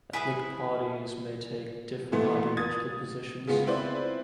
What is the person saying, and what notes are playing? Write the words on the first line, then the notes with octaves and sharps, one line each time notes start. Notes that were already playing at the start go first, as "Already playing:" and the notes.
Ethnic parties may take different ideological positions.
E4 G#4 B4 E5
A#2 E3 A3 B3
D#6 G#6 A6
C#3 G#3 B3 F4
C4 E4 B4 C5 D5